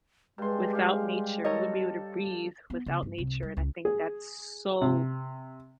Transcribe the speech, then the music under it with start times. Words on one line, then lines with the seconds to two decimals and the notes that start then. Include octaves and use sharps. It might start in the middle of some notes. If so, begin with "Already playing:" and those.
without nature, we wouldn't be able to breathe without nature and I think that's so
0.38 G2 G#3 C6
0.73 G4 F5
1.45 A4 A#4 C#5 D#5
2.70 B3
2.86 C#3
3.02 G2
3.18 C2
3.43 G3
3.57 C#2
3.85 G#4
4.81 C3